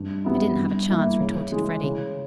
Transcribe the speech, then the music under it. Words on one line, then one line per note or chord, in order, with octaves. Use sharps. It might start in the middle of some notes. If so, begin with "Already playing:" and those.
"I didn't have a chance," retorted Freddy.
Already playing: G2
G3 B3 E4
G2
E3 A#3 E4
C#3
E3 G#3
C#3